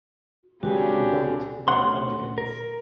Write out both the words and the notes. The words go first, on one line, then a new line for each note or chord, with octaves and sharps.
Both were Republicans.
C#2 C#3 C4 D4 F#4 G4 G#5
D2 A3 C#4 F#5 C6
A#4